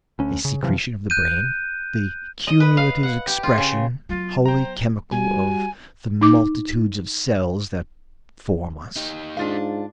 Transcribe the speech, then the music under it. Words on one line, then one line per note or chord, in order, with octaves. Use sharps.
A secretion of the brain? The cumulative expression, wholly chemical, of the multitudes of cells that form us?
D2 C#4
C#3
C3 E3 F3
F#6 G6 D#7
D#5
B4
F5
F#5
G4
F4
C#3
F#3 B3 F4
C5 G5 A#5
G3 F#4 G#5
D#4 D6
D#4 G4
G#2 D4 F4 F5